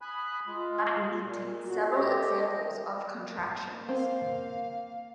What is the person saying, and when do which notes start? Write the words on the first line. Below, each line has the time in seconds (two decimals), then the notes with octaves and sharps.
Latin contains several examples of contractions.
0.01 G#5 B5 D#6 F#6
0.47 G#3 F4
1.23 A#2
1.65 F#4
1.91 A3 G4 D#5
3.22 A#3
3.89 A#3 C4 F5